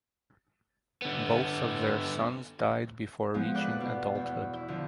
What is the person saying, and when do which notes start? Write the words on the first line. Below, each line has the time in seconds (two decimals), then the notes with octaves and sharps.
Both of their sons died before reaching adulthood.
1.02 D3 B3
3.34 F3 G#3 B3
3.54 A2 B4 D5 F#6
3.80 B2
4.15 E2
4.54 E4
4.68 D3 F3